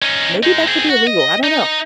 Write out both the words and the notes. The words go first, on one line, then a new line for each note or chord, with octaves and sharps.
maybe that should be illegal, I don't know,
C#4 D#4
G#3 D#4
C4 G#4
F#4
D#5
D#4